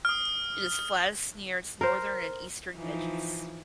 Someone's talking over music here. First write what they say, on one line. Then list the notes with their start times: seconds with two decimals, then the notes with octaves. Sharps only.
It is flattest near its northern and eastern edges.
0.05 D#6 F6
1.81 A#4 C5
2.76 E3 F3 D#4